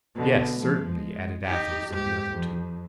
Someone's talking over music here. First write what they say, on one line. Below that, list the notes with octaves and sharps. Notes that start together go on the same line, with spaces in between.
"Yes, certainly," added Athos and the other two.
B2 D3
F3 A3
G#3
D#4 G4
G#2 G4
F2